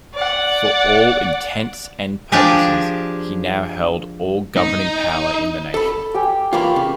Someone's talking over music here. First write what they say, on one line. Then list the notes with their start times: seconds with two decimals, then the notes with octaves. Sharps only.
For all intents and purposes, he now held all governing power in the nation.
0.14 D5 F#5
2.32 F3 D4 G4 G#4 A#4
4.57 D#4
5.74 A4 B5
6.14 G4 G5 G#5
6.53 E3 A#3 F4 G5 B5 C#6
6.76 C#3